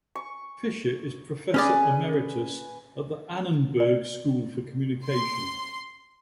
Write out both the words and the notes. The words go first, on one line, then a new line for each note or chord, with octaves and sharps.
Fisher is Professor Emeritus at the Annenberg School for Communication.
C#6
C#4 G#4 B4 D5 G#5
D5
C6